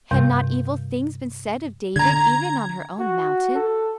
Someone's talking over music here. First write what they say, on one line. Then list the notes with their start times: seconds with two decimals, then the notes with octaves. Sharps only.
Had not evil things been said of David even on her own mountain?
0.11 G2 C3 G3 G6
1.96 D3 A#5 G#6
3.00 F#4
3.55 A4